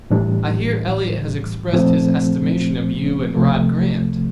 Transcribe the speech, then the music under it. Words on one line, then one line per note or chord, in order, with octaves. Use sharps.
"I hear Eliot has expressed his estimation of you and Rod Grant."
A2 E3 G3 D4
A#2 F3 A3 C4
C2 C3 F3 A3